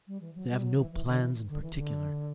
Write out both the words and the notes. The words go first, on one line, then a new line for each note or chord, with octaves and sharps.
They have no plans in particular....
G3
E3
F#3
G3
F#3
E3
E3
D3
E3
D3
E3
D3